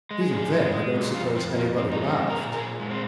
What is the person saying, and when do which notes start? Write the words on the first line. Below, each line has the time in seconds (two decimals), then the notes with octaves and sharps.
"Even then I don't suppose anybody laughed."
0.11 G#3
0.21 G#4
0.31 F3
0.53 G#3
0.73 G#3
0.94 A#2
1.14 F2 F4
1.35 F2 C4
1.56 F2 A#3
1.76 F2 C4
1.92 D#4
1.97 G#3
2.08 C4
2.18 F2
2.30 A#4
2.38 A#2 G#4
2.54 A#4
2.59 A#2 G#4
2.79 G#3
2.91 C4